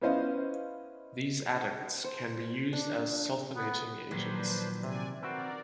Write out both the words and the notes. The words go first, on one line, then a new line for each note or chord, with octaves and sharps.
These adducts can be used as sulfonating agents.
B3 C#4 E4 C5 D#5 F5
C5
D4
B3
A#2 D#3 F3 F#3 D4 B4 C5
C3 D5 G#5
C4 F#4 A#4 B4 D5